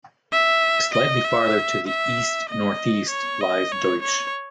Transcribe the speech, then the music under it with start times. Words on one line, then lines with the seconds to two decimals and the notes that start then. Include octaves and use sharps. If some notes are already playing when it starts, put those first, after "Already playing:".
Slightly farther to the east-northeast lies Deutsch.
0.32 E5
0.94 D#5
1.25 E5
1.87 E5
2.49 D#5
3.10 C#5
3.41 D#5
3.72 C#5
4.02 C#5